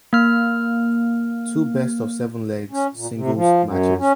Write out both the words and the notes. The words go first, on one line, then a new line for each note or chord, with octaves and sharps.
Two best of seven legs singles matches.
A#3 F6
C#4
A#2
C3
F3
F#2
C#4